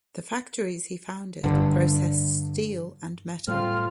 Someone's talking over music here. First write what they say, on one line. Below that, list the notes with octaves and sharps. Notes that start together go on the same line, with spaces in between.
The factories he founded processed steel and metal.
G2 D3
A2 G3 A3 C4 F4 F6